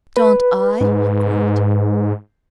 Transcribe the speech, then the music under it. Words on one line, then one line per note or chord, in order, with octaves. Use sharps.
"Don't I?" he growled.
B4
G#2